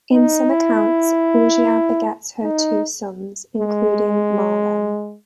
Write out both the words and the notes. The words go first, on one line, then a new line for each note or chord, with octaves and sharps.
In some accounts, Ogier begets her two sons, including Marlyn.
D#4
E4
D#4
G#3